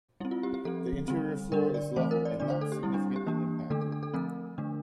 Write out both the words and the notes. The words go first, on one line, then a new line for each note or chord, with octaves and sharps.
The interior floor is level and not significantly impacted.
G3 C4 E4
F4
G4
G4
F3 C4 A4
D3 G3 C4
D3 G3 D4 A#4
D5
E3 A3 C4 C5
A#4
D5
D3 A3 D4 D5
C5
A4
G4
G3 C4 E4
D4
G4
E3 A#3 D4
D3 A3 D4 A4
A4
A4
A4
F3 A3 C4 A#4
D3 A3 D4